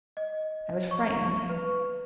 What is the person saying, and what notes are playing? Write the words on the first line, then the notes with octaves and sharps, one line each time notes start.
I was frightened.
D#5
C#6
C#6
B4